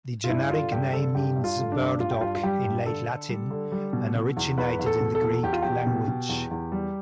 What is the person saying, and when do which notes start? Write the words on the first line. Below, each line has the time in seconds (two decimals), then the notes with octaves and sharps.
The generic name means "burdock" in late Latin and originated in the Greek language.
0.24 F4
0.29 G2 E4
0.51 D3 F4
0.72 G2 G4
0.93 D3 A4
1.15 G2 G4
1.36 G2
1.44 F4
1.58 D3
1.72 D4
1.79 G2
2.00 G2 F4
2.11 G4
2.21 G2 F4
2.35 F4
2.43 G3 G4
2.64 G2
2.86 D3 A4
3.08 D3
3.29 G3
3.51 D3
3.72 G3
3.93 B2
4.15 B2
4.37 E2
4.58 E2 B4
4.79 E2
4.86 A4
5.00 B2
5.15 A4
5.22 E2
5.43 E2 G4
5.53 F4
5.63 E2 G4
5.86 B2
6.08 B2
6.29 E2
6.51 E2
6.72 G3